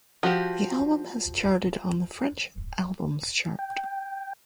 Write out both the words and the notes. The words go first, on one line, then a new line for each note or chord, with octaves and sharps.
The album has charted on the French Albums Chart.
F3 F#4 G4
G5